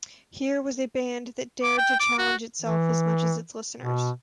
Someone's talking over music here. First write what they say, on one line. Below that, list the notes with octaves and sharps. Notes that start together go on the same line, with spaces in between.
Here was a band that dared to challenge itself as much as their listeners.
D6
G5
D6
F#4
E3
B2